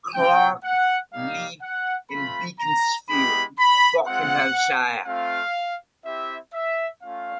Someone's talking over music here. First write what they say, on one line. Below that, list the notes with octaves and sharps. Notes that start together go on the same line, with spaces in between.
Clarke lived in Beaconsfield, Buckinghamshire.
C4 F4 G5
F#5
G3 A#3 D#4 G4 F5
F#5
A3 C4 F4 B5
A#5
G#3 B3 E4 G4 B5
B5
G#3 C4 F4 F#5
A3 C4 F4 F5
C4 E4 G4 E5
E5
A3 C#4 F4 F5